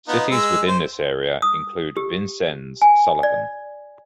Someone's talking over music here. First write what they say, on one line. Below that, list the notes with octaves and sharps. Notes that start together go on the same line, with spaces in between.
Cities within this area include Vincennes, Sullivan.
B3 D#4 F4
G#3 E6
C5
D#6
G4
G#5
D5